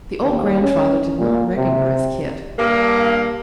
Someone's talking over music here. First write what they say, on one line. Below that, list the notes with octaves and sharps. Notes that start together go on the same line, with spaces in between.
The old grandfather did not recognize Kit.
D#2
C#4
A#2
C3
G2 A#3